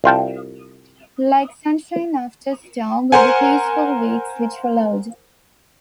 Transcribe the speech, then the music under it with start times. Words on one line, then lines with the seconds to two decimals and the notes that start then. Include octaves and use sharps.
Like sunshine after storm were the peaceful weeks which followed.
0.04 C2 F4 G5 A5
3.12 A#4 C5 F#5 G#5